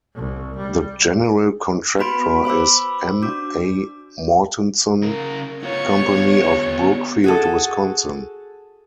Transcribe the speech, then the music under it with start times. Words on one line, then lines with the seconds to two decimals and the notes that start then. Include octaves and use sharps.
The General Contractor is M. A. Mortenson Company of Brookfield, Wisconsin.
0.15 C2
0.57 G3
1.99 B3 F#4 B4 B5 C6 D7
2.45 C5 B5 D6 E6
3.22 D4 F#4 D6
5.03 C#3 A#4
5.63 B3 F4 C#5
7.24 F#4 G#4 A4